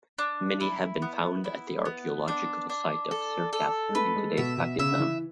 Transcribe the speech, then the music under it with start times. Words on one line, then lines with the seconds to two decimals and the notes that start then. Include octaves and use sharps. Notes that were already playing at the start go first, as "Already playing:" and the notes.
Many have been found at the archaeological site of Sirkap, in today's Pakistan.
0.18 D4
0.60 E4
1.02 B3
1.44 E4
1.85 B3
2.28 D4
2.70 D4
3.11 A4
3.53 A4
3.89 G#3
3.95 A3 B4
4.16 G#3
4.37 B2 E5
4.57 B2
4.79 C#3 E5
4.91 D3
5.00 E3